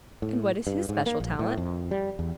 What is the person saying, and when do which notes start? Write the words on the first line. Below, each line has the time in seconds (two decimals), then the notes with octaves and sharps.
"And what is his especial talent?"
0.22 A2
0.67 G2
0.89 G#2
1.06 A#3
1.20 A#1
1.39 A2
1.57 F2
1.91 G3
2.19 E2